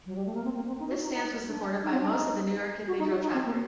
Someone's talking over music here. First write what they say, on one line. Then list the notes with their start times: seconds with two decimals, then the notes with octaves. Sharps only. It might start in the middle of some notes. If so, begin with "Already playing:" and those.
This stance was supported by most of the York cathedral chapter.
0.06 F#3
0.16 G3
0.26 A3
0.34 A#3
0.44 C4
0.55 A#3
0.67 C4
0.80 D#4
0.90 F#4
1.03 D#4
1.13 D#4
1.49 D4
1.84 D#4
1.92 C4
2.01 D4
2.09 D#4
2.87 F#4
2.99 D#4
3.10 F#4
3.22 D#4
3.33 C4
3.45 A#3